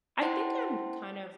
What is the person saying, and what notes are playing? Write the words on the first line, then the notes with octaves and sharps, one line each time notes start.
I think I'm, kind of,
E4 C5 F#5 G5 A5 C6